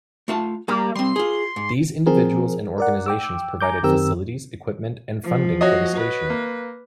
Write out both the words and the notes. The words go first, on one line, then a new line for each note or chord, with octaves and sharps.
These individuals and organizations provided facilities, equipment, and funding for the station.
A3 F4 A5
G3 A#3 G4
G3 C4 C6
F4 G#4
G#2
F3 C4 G#4 A#4
A#4 D5 F#5
G5 D6 E6
G#5 A#5 D6 G6
F#2 D#3 C4 G4 A#4 E6
F3
F#4 C#5 D#5
B4
A#3